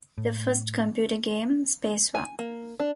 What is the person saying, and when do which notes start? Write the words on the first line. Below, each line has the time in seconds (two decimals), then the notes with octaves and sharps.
The first computer game, Spacewar!
0.18 A2
2.15 G#5
2.39 A#3
2.80 D4